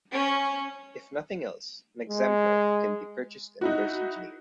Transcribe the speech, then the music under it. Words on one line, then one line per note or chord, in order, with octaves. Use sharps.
If nothing else, an exemplar can be purchased and reverse engineered.
C#4
G#3
D#4 E4 F#4